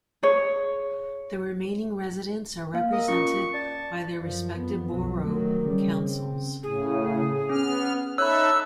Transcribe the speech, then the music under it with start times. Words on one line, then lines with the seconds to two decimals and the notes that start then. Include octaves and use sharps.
The remaining residents are represented by their respective borough councils.
0.23 G#4 C#5
2.74 A#3 F5
2.93 A#4 D#5
3.08 C#4 F4 C#6
3.54 D5 A5
4.18 F#2 F3
4.57 F2 B3
4.89 B1 F#3
5.25 D#3 F#3 A3
5.65 C#3 G3
6.01 C4
6.63 A2 C#3 G#4
7.49 B3 C#4 F6
8.18 D#4 A4 C#5 E5 B5 E6 F#6